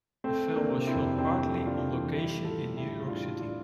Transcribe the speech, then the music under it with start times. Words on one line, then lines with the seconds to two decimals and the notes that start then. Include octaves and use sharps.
The film was shot partly on location in New York City.
0.24 A3 C4
0.47 A3
0.55 A#3 D4
0.71 C3
0.87 C4 E4
0.95 F2
1.13 D4
1.18 C3 C4 E4
1.42 A3
1.66 A3 D4 F4
1.90 E3
2.13 G3 E4 G4
2.37 A2
2.45 F4 A4
2.61 A2
2.77 E4 G4
2.84 A2
3.08 G3 D4 F4
3.32 G3
3.39 D4 F4